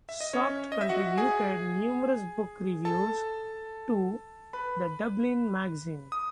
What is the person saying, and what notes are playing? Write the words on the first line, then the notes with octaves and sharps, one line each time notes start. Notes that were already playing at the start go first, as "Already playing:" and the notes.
Salkeld contributed numerous book reviews to "The Dublin Magazine".
E5
D#5
C#4 C#5
D#5
E5
F#4 F#5
G#4 G#5
A4 A5
B4 B5
D#6